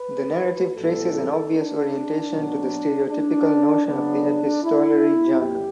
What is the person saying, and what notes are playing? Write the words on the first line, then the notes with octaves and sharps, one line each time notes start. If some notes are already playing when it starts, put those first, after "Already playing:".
The narrative traces an obvious orientation to the stereotypical notion of the epistolary genre.
Already playing: B4
A2 E3 G3 B3 A4
D4
B2 F#3 B3
D4
C#3 F#3 B3 D4
E4
F#2 G4